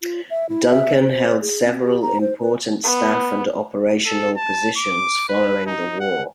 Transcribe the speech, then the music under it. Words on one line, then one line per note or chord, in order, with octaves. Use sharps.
Duncan held several important staff and operational positions following the war.
F4
E5
E4
E5
C5
G#4
C4
G4
A#5
C5
B4
B3
A4
A5
D6
B4
D#4
F#5